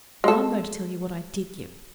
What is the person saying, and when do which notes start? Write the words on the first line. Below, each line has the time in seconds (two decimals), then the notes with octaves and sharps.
Now I'm going to tell you what I did give.
0.24 G#3 A4